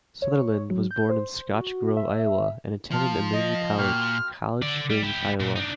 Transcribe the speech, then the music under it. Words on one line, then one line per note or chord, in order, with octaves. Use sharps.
Sutherland was born in Scotch Grove, Iowa and attended Amity College, College Springs, Iowa.
C#5
F#3
G6
C5
F#4
E5
F3 F5 A5 C6
D#5
A#2 A#3 F#4 G5 F6
D3 D5
G3
E4 G4
A#2
D4 D#4